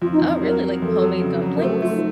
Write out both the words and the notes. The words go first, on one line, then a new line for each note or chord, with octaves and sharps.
Oh, really, like homemade dumplings?
F2 F4
D#4
F2
F#3 A#4
F#3
F2 A4
F#3
C#3
F#3
A#4
A3 C5
A4
A3 F4
D#4